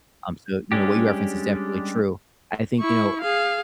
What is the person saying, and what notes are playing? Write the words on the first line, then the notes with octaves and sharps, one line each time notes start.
Um, so, you know, what you referenced is definitely true. I think, you know,
G3 G#3 C#4 D4 G4
E4 C#6
G#4 F5